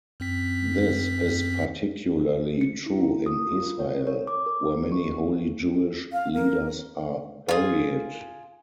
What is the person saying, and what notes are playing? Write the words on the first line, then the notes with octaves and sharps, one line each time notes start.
This is particularly true in Israel were many holy Jewish leaders are buried.
F#2 C4 B6
C#7
E4
D#6
F4
A#4
C#5
C#5
D6
A#4
C#6
F5
A#4
F4 G#4